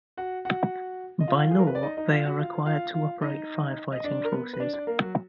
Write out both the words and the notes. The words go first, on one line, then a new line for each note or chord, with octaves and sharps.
By law, they are required to operate fire-fighting forces.
F#4 F#5
F#4 F#5
D#5
F4 F5
G#4
A#4
B4
D5
D#4 D#5
D#4 D#5
F4 F5
F#4 F#5
F4 F5
F4 F5
F4 F5
D#4 D#5
D#5
D4 D5
A#4
B3 B4
B4
D4 D5
D4 D5
A#3 A#4
F#3 F#4